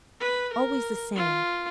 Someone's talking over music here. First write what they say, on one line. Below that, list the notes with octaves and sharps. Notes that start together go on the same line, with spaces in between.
Always the same.
B4
A#4
F4